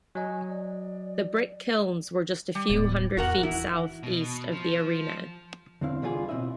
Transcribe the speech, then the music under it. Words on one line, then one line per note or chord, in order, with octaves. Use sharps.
The brick kilns were just a few hundred feet southeast of the arena.
F#3 D#5 G#5
D5
G3
D1 A2 B3 D5
F1 E2 F#4 A#4 F#5
E3 E4
B2
F3
E2 D3 C4 E4 F5
C2 D3 E3 F4 G#4
B2 C4 E4 D#5 E5